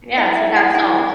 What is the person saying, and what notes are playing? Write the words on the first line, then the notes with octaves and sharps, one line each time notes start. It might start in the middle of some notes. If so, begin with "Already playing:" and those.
Yes, without salt.
E4 D#5
E5
E4
F#5
E4 G#5